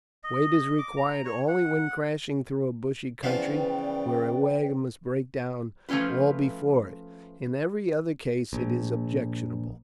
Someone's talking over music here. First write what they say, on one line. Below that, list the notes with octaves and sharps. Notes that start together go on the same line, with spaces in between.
Weight is required only when crashing through a bushy country, where a wagon must break down all before it: in every other case it is objectionable.
D#5
D6
A#5
C#5
F#5
C#3 E3 F3 B3 B4 D5 G5
F3 A3 C#4 F4 B4
A#1